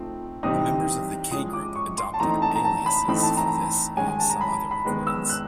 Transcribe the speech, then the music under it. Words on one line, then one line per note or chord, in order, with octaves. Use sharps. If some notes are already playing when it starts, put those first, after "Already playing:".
The members of the K Group adopted aliases for this and some other recordings.
Already playing: F3 A3 C4 D#4
C3 E3 G3 C4 D#4 D#6
F3 G#3 C#4 D#6
D6
C#6
C6
A5
E3 A3 C4 D#4 A#5
A5
A#5
A5
B5
E3 A3 C4 D#4 B5
A5
A#5
D#3 G#3 C#4 G#5
G#5
A5
A#5
B5
B5
D#3 G#3 B3
E6
F#6